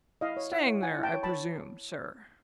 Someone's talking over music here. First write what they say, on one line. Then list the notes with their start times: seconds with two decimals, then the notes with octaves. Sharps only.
'Staying there, I presume, sir?'
0.21 E4 D#5 F5
0.37 C#5
0.52 E4 E5 F#5
0.67 C#5
0.82 E4 F#5 G#5
0.99 E4 G5 A5
1.13 C#5
1.23 A5 B5
1.29 C#5